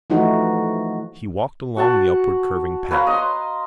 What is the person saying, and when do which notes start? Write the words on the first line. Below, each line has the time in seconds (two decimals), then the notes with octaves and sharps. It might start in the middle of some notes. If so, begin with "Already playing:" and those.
He walked along the upwardcurving path.
0.10 E3 F3 A3 D#4 F#4
1.77 F#4 F#5 A5
2.91 B4 C#5 F5 A#5
3.07 D#5 C6